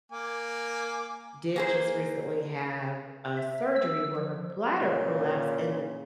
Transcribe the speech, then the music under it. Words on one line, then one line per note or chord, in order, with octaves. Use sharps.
did just recently have a surgery where her bladder prolapsed and
A#3 G#5 D6
A#3 G#4 C5
E5
E6
F3
A#2 C#3